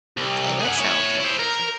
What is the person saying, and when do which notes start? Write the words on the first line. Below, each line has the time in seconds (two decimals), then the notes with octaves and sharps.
Okay, that sounds interesting.
0.17 C2
0.61 G#4 F#5
0.77 E4 C#5
1.20 E4 C5
1.39 A#4